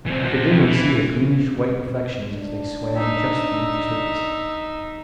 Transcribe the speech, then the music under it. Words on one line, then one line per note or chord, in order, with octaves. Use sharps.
I could dimly see their greenish-white reflections as they swam just beneath the surface.
E3 C4
F#4 C5
F2
E3
D4
D#4 E5